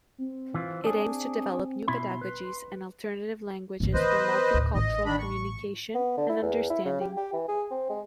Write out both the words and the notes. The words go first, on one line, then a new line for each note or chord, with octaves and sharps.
It aims to develop new pedagogies and alternative languages for multi-cultural communication and understanding.
C4
E3 F4
D4 G#4
B2 E4 B5 C6
B4
A1 F2
E3 B3 B4 C5 D#5
D2 A2
A1 A2 D#5
D#3 D4 B5
C#6
B3
D3
E4
E2
E4
C#3
G4
G4
E3
G#4
C4
G#3